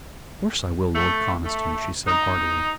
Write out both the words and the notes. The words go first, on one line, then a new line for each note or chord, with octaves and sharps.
"Of course I will, Lord Conniston," she said heartily.
A3
A3
D#4